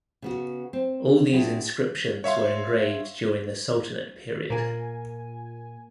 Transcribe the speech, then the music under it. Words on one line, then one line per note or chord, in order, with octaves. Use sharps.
All these inscriptions were engraved during the Sultanate period.
C#3 B3 F#4
C4
C4 D4 E4 F#4 G#4 A4
C#5 E5 F5 C6
A#2 A#3 G#5